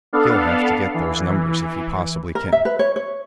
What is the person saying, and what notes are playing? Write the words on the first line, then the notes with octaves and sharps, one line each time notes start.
He'll have to get those numbers if he possibly can.
B3 D4 A4 F5
E3
A#4
E5
B4
C#5
C#5